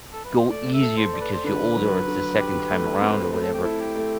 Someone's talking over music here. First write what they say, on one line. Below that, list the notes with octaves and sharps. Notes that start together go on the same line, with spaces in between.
go easier, because you're older, or it's the second time around, or whatever.
A4
B4
C5
A3 D5
E5
A4
C5
D5
B4
C5
D3 B4
F#3
D3
G4
A3
C4
A3 B4
A4
G4
E4 A4
G4
A3